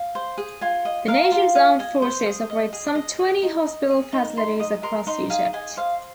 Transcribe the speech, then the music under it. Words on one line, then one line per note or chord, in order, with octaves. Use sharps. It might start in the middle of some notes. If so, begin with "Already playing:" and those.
The nation's armed forces operate some twenty hospital facilities across Egypt.
Already playing: F5
C5
G#4
F4 G#5
D#5
A#4 F5
F4
G#4 F5
D#5 G#5
C5
G#4 D#6
D#5
G#4
D#5
G#4
D#4
D#5
G#4
D#4
D#4 C6
D#5 D#6
A#4 C6
D#4 C6
G#4 F5
D#5 G#5
C5 F5